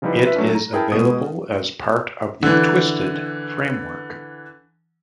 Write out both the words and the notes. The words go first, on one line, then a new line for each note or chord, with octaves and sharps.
It is available as part of the Twisted framework.
C#3 F3 G3 D#4 E4 B4
F4 B4 E5
F#3 A3 C#4 D4
A#5
E4 G#4 A#4 G5 A5
B2 G#3 D#6
D3 E3